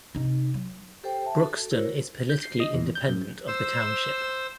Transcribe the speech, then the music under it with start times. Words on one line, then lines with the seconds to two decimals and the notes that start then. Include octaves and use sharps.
Brookston is politically independent of the township.
0.15 C3 D#4
0.54 F#3
1.04 G4 A4 C5 G5
1.26 E5 A5
1.41 F#4 A4
1.71 E4 F#4 A#4 C5 C#5
2.30 G6
2.43 C7
2.60 D#5
2.74 E2
2.95 G6
3.09 F#2
3.47 C5 E6